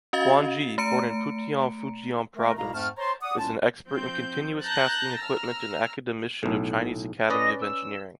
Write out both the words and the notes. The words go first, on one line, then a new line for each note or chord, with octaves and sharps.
Guan Jie, born in Putian, Fujian Province, is an expert in continuous casting equipment and academician of Chinese Academy of Engineering.
C#4 F#4 D#5 F5 A6
A3 A#5 C#7 D7
A3 A#4
C2 B2 E4 F5 A#5
F2 G#2 A3 A5 F6
C5 C#5 A5 A#5 C6
D5 F#5 D#6
C2 C#4 F4 A5
F3 C4 G6
A5 A#5 F#6 G6 A6 A#6
A#5 E6 F6
B1 A2
C#4 B4 D5 D#5 A#6
E6